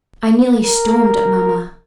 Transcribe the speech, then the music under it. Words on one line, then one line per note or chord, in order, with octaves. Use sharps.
I nearly stormed at Mamma.
A#4